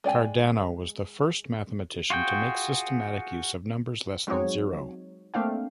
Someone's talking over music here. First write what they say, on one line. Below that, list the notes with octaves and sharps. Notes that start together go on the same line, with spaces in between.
Cardano was the first mathematician to make systematic use of numbers less than zero.
G#3 D5 G5 G#5
F4 F#4 G#4 G5
F#3 G#3 C4 D#4 F#4 C#5
A3 A#3 C4 D4 F5 G5